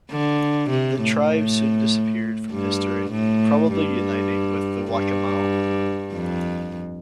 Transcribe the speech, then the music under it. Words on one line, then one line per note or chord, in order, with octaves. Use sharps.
The tribe soon disappeared from history, probably uniting with the Waccamaw.
D3
C3
A2
G2
A2
G2
G2
F2